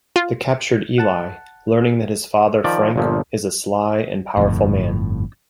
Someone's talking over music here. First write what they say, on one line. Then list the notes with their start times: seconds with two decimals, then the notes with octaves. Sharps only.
They capture Eli, learning that his father Frank is a sly and powerful man.
0.16 F4
0.98 F#5 A5
2.64 D#3 F3 D5
2.96 G1 A#2 F3
4.37 G1 F2 A2